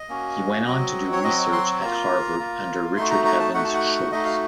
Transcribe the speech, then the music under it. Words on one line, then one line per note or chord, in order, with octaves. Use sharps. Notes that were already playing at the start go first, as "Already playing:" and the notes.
He went on to do research at Harvard under Richard Evans Schultes.
Already playing: D#5
A#3 C#4 F#4
F#3 C4 F#4
C#5
F#3 C4 F#4 D#5
C6
A#3 F4 A#5
A#3 F4
A3 D#4 F#4 C6
A#5
A#5
A5
A3 D#4 F#4 F#5
A5
F#5
A3 D#4 F#4 D#5
F5